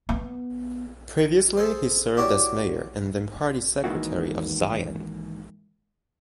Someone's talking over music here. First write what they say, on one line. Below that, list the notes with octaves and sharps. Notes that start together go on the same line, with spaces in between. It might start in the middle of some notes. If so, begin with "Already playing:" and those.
Previously he served as mayor and then party secretary of Ziyang.
B3
G#4 A4 C5
D4 E4 F#4 G4 C#5 D5
G#2 D#3 E3 A#3 E4 F#4